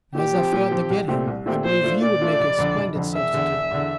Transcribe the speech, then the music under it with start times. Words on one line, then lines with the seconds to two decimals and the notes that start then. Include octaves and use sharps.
But as I failed to get him, I believe you would make a splendid substitute.
0.15 A#2 G4
0.34 F3 C4
0.52 A#2
0.71 F3 C4
0.90 C2
1.08 A#2 A3 C4 G4
1.27 C2
1.46 A#2 A3 C4 G4
1.65 A#2 C5
1.83 A3 D4 F4
2.02 A#2 D5
2.21 A3 D4 F4
2.39 F1
2.58 F2 D3
2.77 F1
2.95 F2 D3
3.14 E1 E5
3.34 E2 D3
3.52 E1
3.71 E2 D3